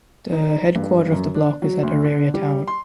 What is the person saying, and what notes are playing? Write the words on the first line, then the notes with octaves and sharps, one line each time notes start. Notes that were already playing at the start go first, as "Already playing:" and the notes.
The headquarter of the block is at Araria town.
D#4
G2
F#2
D4
F#3
D2
D3
G3
C6